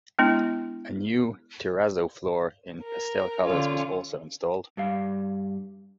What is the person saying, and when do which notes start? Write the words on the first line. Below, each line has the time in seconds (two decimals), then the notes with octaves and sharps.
A new terrazzo floor in pastel colors was also installed.
0.19 G#3 B3 D4 E4
2.83 A#4
3.43 D3 C#4 F4
4.77 G2 G3 F5